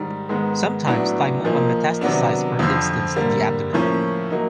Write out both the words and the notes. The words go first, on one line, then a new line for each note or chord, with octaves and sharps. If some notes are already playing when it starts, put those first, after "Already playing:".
Sometimes thymoma metastasize for instance to the abdomen.
Already playing: G#2 D#3 G3
G#2 D#3 G#3 B3
A2 F#3 B3 D4
A#2 F3 A#3 D#4
C3 D#3 F#3 B3 D4
F2 D3 F3
D3 G3 A#3
A2 F3 A#3 C#4
F#3 A#3 D#4